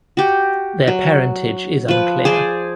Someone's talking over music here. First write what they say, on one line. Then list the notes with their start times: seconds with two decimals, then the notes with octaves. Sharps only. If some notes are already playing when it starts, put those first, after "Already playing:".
Their parentage is unclear.
0.17 F#4 G4
0.87 F#3
1.88 F3 B4
2.25 G#4 C5 D5